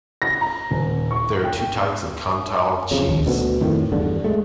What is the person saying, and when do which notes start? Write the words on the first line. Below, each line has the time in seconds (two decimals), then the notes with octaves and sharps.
There are two types of Cantal cheese.
0.22 A#6
0.41 A#5
0.70 D#1
1.11 C#6
1.44 G5
2.91 F2 C#3
3.08 A#1 D#2
3.27 D2 B2
3.61 F2 A2 D#3
3.92 E2 G2 D3
4.24 G#3 A3